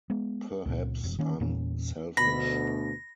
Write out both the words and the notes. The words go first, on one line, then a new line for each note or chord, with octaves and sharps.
Perhaps I’m selfish.
G#3 B3
C#2 A#2
E1 F2
D#3 A#3 C#4
E2 A#2 A#3 C#4
D2 B2 B5 A#6